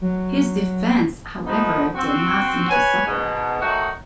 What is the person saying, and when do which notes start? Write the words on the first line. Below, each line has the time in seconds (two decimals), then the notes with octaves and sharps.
His defense, however, did not seem to suffer.
0.01 F#3
1.46 F3 A3 B3 D#4
1.95 C4 F#4
2.70 B4 C#5 G#5
3.06 G#2 B2
3.61 D#3 F#3 A3 D#4 F#4